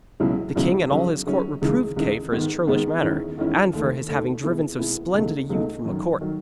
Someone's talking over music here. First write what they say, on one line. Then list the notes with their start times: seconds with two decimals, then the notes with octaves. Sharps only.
The king and all his court reproved Kay for his churlish manner, and for his having driven so splendid a youth from the court.
0.20 C#2 B2 F#3 C#4 E4
0.56 C#2 B2 F#3 C#4 E4
0.90 C#3 F#3 C#4
1.26 C#3 F#3 C#4
1.62 C#2 C#3 E3 G#3
1.96 C#2 C#3 E3 G#3
2.32 G#2 D#3 G#3 B3
2.67 G#2 D#3 G#3 B3
3.02 E2 D#3 G#3 C#4 E4
3.38 E2 D#3 G#3 C#4 E4
3.73 D#2 D#3 A3
4.08 D#2 D#3 A3
4.43 B2 G#3 B3 E4
4.79 B2 G#3 B3 E4
5.14 C#2 B2 A3 D#4
5.50 C#2 B2 A3 D#4
5.85 F#2 D#3 F#3
6.21 D#3 F#3